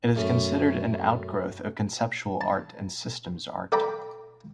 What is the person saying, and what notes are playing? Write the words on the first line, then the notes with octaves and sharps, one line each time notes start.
It is considered an outgrowth of conceptual art and systems art.
F#2 A3 C#4
A5
A4 D5 G5 A#5 B5